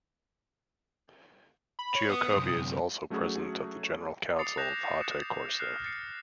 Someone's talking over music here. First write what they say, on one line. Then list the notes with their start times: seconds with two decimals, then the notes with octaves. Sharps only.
Giacobbi is also President of the general council of Haute-Corse.
1.79 B5
1.95 C#5
2.10 B3 D#6
2.35 F#2 C3
3.10 F#3 A3 C#4 F#4 G#4
4.38 D6 D#6 A6 C7 C#7 F7
4.57 D#6 F#6 G6 A#6 E7 F7
5.00 F#6 C#7 E7
5.59 F6 F#6 C7
5.84 A6 C7 C#7